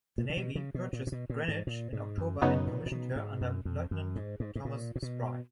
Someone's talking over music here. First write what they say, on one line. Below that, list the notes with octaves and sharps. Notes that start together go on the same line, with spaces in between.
The Navy purchased "Greenwich" in October and commissioned her under Lieutenant Thomas Spry.
A#2
C#3
B2
C#3
B2
A#2
A#2
B2
A#2
G#2
A#2
G#2
F#2
F#2 C#3 F#3 B3 D#4
A#2
A#2
B2
G#2
F#2
F2
F#2
G#2
G#2
G#2
A#2
A#2
B2